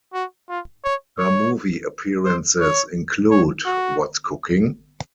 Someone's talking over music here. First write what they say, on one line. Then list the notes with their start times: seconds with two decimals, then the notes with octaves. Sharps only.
Her movie appearances include What's Cooking?
0.14 F#4
0.49 F4
0.84 C#5
1.19 C#5
2.25 C5
2.60 C#5
3.31 C#5
3.66 F#4